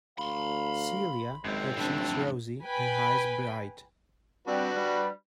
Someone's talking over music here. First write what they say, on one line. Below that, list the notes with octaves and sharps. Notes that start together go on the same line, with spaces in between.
Celia, her cheeks rosy, her eyes bright.
D2 F5 B5 C6
G#1 F#2 G#3 C4
F2 A2 D4
B4 G5 G#5 B5
G3 C4 D4 F#4 B4
G3